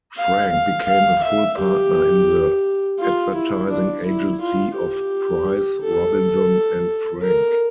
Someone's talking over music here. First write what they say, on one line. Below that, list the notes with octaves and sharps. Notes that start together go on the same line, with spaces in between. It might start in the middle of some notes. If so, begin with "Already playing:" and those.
Frank became a full partner in the advertising agency of Price, Robinson and Frank.
F5
F5
F5
E5
G4
F4
E4
D4
E4
F4
G4
A4
A#4